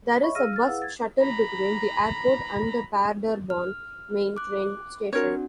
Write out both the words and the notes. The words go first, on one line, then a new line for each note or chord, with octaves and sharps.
There is a bus shuttle between the airport and the Paderborn main train station.
C#5 D#5 E5 B5 C#6
G#4 F5 E6 F6 A#6 D#7
F6 A6
E4 G#4 B4 F5 F#5 E6
G#6 A6
A#5 B5
F6
D6 F#6
C4 D4 F#4 A#4 C#5